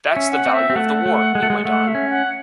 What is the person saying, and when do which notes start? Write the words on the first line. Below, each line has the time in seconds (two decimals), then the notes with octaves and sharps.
"That's the value of the war," he went on.
0.09 E5
0.16 C#4
0.31 F#5
0.46 C4
0.53 E5
0.70 C4
0.76 A3 F#5
1.06 A3
1.35 G#3
1.43 A3
1.50 G#3
1.65 A3 F#5
1.88 E5
1.95 C#4
2.09 F#5